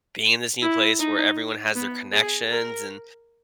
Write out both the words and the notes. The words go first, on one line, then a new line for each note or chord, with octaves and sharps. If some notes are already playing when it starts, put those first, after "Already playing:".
being in this new place where everyone has their connections, and,
E4
D#4
B3
G#4
A#4